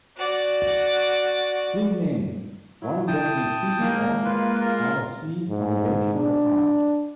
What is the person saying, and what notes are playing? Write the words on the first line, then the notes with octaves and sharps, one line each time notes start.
Three men, one with his shoes off, are asleep on a bench in the park.
F#4 D5
F#3 E4
G5 A5 D#6
G#3 A#3
F4 B4
F4 A#4
G#2
D4